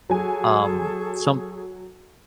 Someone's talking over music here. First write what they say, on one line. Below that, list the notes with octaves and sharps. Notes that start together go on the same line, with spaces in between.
Um, some
F#3 G#4 A4 G#5 C#6